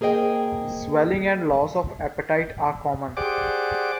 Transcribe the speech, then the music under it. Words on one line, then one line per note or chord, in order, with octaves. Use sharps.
Swelling and loss of appetite are common.
A#3 G#4 C5 D#5 G5
G4 G#4 C5 D5 F#5 D6